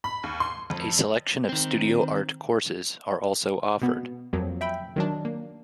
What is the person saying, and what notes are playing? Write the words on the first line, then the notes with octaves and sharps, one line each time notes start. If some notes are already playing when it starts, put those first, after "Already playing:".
A selection of Studio Art courses are also offered.
B5
D#2
C6
F2
D#3 C4
B2 B3
F2 F3 F#3 A#3
E5 G5 B5
D#3 F#3 D4
A#3